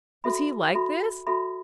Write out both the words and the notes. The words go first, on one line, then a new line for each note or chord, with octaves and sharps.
Was he like this?
F#4 A4 E5 B5
F#4 A4 E5 B5
F#4 A4 E5 B5